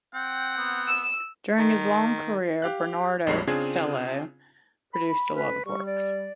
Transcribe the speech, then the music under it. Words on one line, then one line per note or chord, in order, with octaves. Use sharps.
During his long career Bernardo Castello produced a lot of works.
C4 F#5 G5
B3
E6
D#3
G4 F5 F#6
A#1 F2 G3 G#3 C#5 C7
C#3 C4 D4 F4 G#4 G#6
B5
F2 C#4 B4
G3 C#6
D5